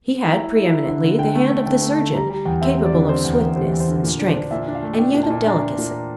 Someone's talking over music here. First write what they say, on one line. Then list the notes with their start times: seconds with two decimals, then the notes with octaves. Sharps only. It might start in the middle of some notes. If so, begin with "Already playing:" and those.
He had, pre-eminently, the hand of the surgeon, capable of swiftness and strength, and yet of delicacy.
0.24 E4 A#5
0.40 E4
0.56 E4
0.72 E4
0.88 D3
1.04 D3
1.19 D3 G5
1.35 A3
1.51 D3
1.66 D3 G5
1.82 A3
1.90 A5
1.98 D3
2.15 G3 A#5
2.29 G3 A#5
2.45 E2 G5
2.61 C4 E5
2.78 G3
2.85 D5
2.93 D3
3.09 C4 C5
3.24 E2
3.32 A#4
3.41 E2
3.56 G3 C5
3.72 E2
3.80 C5
3.88 D3
4.03 A#2
4.20 D4
4.28 C5
4.36 D4
4.51 A#2 E5
4.68 D4
4.75 F5
4.83 A3
4.99 D4 G5
5.14 A#2
5.23 A5
5.30 A#2
5.46 D4 A#5
5.62 D4
5.78 A#2